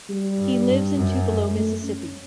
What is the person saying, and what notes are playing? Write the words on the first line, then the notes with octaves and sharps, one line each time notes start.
He lives in Tupelo, Mississippi.
G3
G2
G2
F#2
A3
C#4